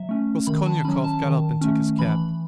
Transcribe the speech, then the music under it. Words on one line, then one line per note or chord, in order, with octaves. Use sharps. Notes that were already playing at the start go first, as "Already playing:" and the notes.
Raskolnikov got up and took his cap.
Already playing: F#3 E5
A3 C#4
D#3 B5
A5
F#3 C#4 B5
A5
D#3
A3 C#4
E3 B5